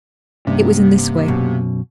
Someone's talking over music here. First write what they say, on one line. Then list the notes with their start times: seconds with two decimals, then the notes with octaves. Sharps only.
It was in this way.
0.47 G2 C3 A#3 B3 C#4
1.28 F#2 B2